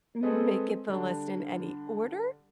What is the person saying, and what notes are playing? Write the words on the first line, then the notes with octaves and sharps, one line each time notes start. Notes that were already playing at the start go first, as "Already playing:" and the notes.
m make it the list in any order.
G#3 C4 G#4 A4 B4 D#5
D3 G3 D4